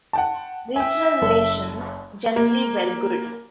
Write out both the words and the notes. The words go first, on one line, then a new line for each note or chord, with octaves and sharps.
Regional relations generally were good.
F#5 G5 A5
E5 G5 G#5
F#1 A4
A#3